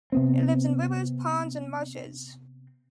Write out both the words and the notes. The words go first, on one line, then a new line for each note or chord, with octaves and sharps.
It lives in rivers, ponds and marshes.
C3 B3 C4